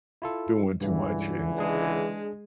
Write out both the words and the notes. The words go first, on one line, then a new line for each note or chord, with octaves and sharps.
doing too much, and
E4 F4 A4
C#2 G2 D3 E3
G#3 D4 G#4